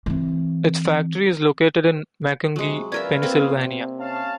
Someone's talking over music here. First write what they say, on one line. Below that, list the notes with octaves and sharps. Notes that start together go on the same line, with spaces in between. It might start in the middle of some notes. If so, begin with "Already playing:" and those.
Its factory is located in Macungie, Pennsylvania.
E3 C4
C3 F#3 G#3
C#4 F4 A#4 B4 D5 E5 F5 G#6
A#3 C4 A#4
C3
C#4 F5 A5